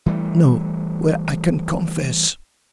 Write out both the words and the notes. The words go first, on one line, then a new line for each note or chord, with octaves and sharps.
"No, where I can confess."
E3 G3 A3